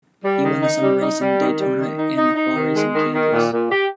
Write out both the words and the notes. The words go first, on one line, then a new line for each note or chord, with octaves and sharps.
He won the summer race in Daytona and the fall race in Kansas.
G3
D#3
D#4
G3
D#4
G3
D#3
G3
D#3
D#4
D#4
D#4
D#3
G#3
D#3
D#3
A#2
A#2
G4